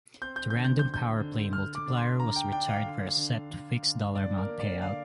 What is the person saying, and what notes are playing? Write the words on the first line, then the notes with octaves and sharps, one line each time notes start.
The random "Power Play" multiplier was retired for a set, fixed dollar amount payout.
C4 G6
G6
G6
D3
G6
G6
D3
G6
D3
D3 F6
D6
D4
C6
D3 A#5
G5
D4 G5
F5
D3
D3
D3
D3
D4 D5
A#4
A#3
D5
D3 F5